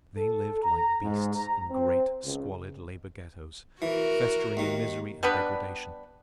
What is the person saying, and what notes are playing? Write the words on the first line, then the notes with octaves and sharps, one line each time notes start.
They lived like beasts in great squalid labor-ghettos, festering in misery and degradation.
A4
A#5
G#2
A#5
C4
C#2
E3 F#4 A#4
D#2 D#3
G3 B3 D4 B4